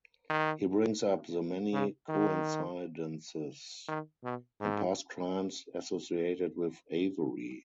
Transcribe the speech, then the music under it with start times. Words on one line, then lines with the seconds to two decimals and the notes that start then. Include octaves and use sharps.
He brings up the many coincidences and past crimes associated with Avery.
0.30 D#3
1.73 C#3
2.09 D#3
3.88 D#3
4.24 B2
4.60 G#2